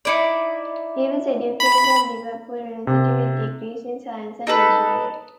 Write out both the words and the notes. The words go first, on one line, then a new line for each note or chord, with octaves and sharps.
He was educated at Liverpool University with degrees in science and engineering.
D#4 E4 D5
B5
C3
D#4 A4 B4